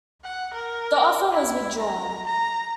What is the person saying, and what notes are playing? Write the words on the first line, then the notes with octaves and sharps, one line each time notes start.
The offer was withdrawn.
F#5
A#4
E4
A#5
A#5